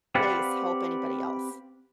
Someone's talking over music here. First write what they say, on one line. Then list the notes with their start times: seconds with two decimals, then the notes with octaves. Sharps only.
place, help anybody else.
0.15 C4 G4 B4 D5 F5 F#5